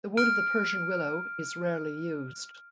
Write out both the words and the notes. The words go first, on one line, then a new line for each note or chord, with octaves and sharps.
The wood of the Persian willow is rarely used.
F6 D7